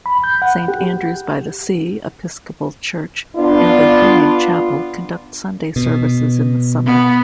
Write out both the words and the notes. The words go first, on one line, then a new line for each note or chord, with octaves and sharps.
Saint Andrew's-by-the-Sea Episcopal Church and the Union Chapel conduct Sunday services in the summer.
B5
G6
F#5
G4
B3 D4 F4
B2
B3